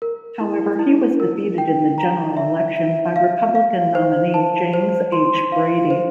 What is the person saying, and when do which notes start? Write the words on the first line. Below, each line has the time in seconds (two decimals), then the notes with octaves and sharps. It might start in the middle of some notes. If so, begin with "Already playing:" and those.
However, he was defeated in the general election by Republican nominee James H. Brady.
0.02 A#4
0.41 E4
0.79 E4
1.20 A#4
1.58 G5
1.98 A#5
2.37 E5
2.76 E5
3.16 F5
3.55 F5
3.95 C5
4.34 A5
4.73 C5
5.12 C6
5.52 F5
5.90 C5